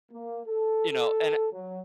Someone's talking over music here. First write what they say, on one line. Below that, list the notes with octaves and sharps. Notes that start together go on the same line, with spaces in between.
you know and
A#3
A4
A4
F#3